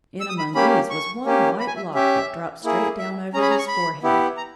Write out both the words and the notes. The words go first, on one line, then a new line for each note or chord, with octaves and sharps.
In among these was one white lock that dropped straight down over his forehead.
E6
D#6
B5
A#3 C#4 G4 B5
C#6
A#3 C#4 G4
B5
G#5
E5
C#4 G4 E5
A#3 E4 G#4
E5
C#4 G#4 A#5
B5
A#5
C#6
B5
B3 E4 G4
A#5